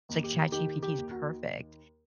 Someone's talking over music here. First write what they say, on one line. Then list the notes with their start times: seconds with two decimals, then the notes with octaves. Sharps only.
it's like ChatGPT is perfect.
0.09 D#2
0.24 G4
0.52 D#3 G4
0.83 G4
0.98 D#2
1.11 F#4